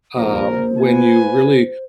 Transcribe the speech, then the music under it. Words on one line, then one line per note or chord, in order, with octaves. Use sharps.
uh, when you really
A#1 D#2 A#3 A#4 C5
F4 B4 G#5